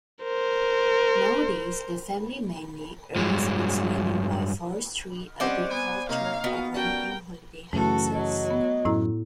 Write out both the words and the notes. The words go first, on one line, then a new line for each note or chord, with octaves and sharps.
Nowadays, the family mainly earns its living by forestry, agriculture and renting holiday houses.
A#4 C5
G2 F#3 G#3
G3 C4 C#4 C5 D5 D#5 F#5
B3 G#5
C3 A#3 D#4 C#5 F5
B3 F#4 D#5 G5
G3 C#4 F#4 A#4 G5 A5
F#2 C#3 E3 A3 F#4 A4
F#3 D#5
B3
F#2 A2 E4 A#5